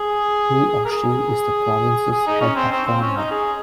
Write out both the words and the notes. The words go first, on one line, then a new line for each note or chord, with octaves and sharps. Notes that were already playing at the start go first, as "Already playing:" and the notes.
He or she is the province's head of government.
Already playing: G#4
A#4
G#4
G#4
D#4
C#4
C4
C4
C4
C#4
D#4
G#4